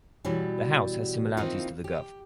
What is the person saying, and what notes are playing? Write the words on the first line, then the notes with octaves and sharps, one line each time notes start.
The house has similarities to the Gov.
B2 E3 F#3 G3
D#3 E3 A#3 C4 D#4 F4
G4